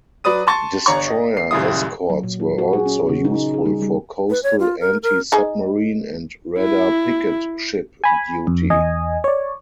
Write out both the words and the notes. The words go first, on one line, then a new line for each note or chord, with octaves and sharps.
Destroyer escorts were also useful for coastal anti-submarine and radar picket ship duty.
F#3 B4 D5 D#6 D#7
A5 C6 C#6 A6
G1 C#5 A#5 C#6
D#5
C7
D#1 C#2 F#2 E4 D#6
F#3
A#2
F4
F#4
G#4
C#4
C#3
D#4
G#4
G3
G3
B4
C#5
F4
A#4
A#4
D#4 G#4 D#5
E4
G#5 B5
F2
E2 D#5 G#5
C#5 D5